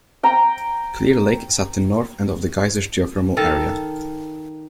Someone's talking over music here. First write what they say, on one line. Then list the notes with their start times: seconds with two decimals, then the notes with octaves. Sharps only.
Clear Lake is at the north end of The Geysers geothermal area.
0.23 G5 A#5
3.37 D#3 A4 F5